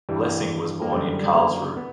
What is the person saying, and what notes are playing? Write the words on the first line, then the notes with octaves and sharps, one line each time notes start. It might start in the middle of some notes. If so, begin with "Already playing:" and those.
Lessing was born in Karlsruhe.
G2 E3 G3
A#3
F#2 D3 G3
G3
A#3
B3